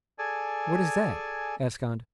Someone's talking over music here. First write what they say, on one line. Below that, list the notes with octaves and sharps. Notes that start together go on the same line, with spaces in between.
"What is that?" asked Andrea.
G#4 A4 D5 G#5